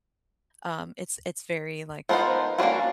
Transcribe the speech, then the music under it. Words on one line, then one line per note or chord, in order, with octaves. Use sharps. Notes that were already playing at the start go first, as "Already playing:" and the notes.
um, it's it's very, like,
F3 B3 D#4 A#4 C5
A#3 C#4 D4 F4 F#4